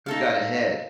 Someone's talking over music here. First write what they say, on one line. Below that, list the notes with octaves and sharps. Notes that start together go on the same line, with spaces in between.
who got ahead,
D#4 A4 F5